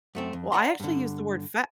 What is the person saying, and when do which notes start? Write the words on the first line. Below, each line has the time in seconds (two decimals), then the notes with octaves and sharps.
Well, I actually use the word fa
0.15 F#2 A3 C4
0.33 F2
0.52 D5 F#5 A#5 C6
0.80 G2 D3